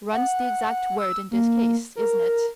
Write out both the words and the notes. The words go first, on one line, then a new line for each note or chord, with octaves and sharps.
Run's the exact word in this case, isn't it?
F#5
E6
A#3
A#4